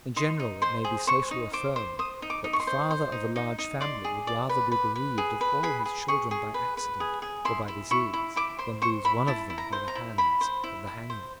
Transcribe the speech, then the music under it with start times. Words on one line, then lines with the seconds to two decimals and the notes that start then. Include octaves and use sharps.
In general it may be safely affirmed that the father of a large family would rather be bereaved of all his children by accident or by disease than lose one of them by the hands of the hangman.
0.16 D#4 C6
0.40 D#4
0.62 C5 C6
0.84 G#4
1.07 C5 C#6
1.31 D#4
1.53 C5 D6
1.76 C5
1.99 C5 D#6
2.22 D#4
2.30 D6
2.44 D#4
2.53 C#6
2.60 C6
2.67 C5
2.91 C5
3.12 D#4
3.36 D#4
3.58 D#4
3.81 D5 C6
4.04 G#4
4.27 D5
4.49 B4
4.72 B4
4.96 B4
5.18 G#4
5.41 B4
5.63 G#4 B5
5.85 G#4
6.08 G#4 C#6
6.31 G#4
6.54 B4
6.77 B4
7.00 G#4
7.22 G#4
7.45 E4 C6
7.68 E4
7.91 E4 C#6
8.13 E4
8.36 E4 D6
8.59 C5 C6
8.82 C5 C#6
9.05 E4 B5
9.27 E4 A5
9.50 E4
9.58 A#5
9.73 C5
9.88 A#5
9.95 E4
10.18 E4 B5
10.41 C5
10.64 E4
10.87 E4
11.10 C5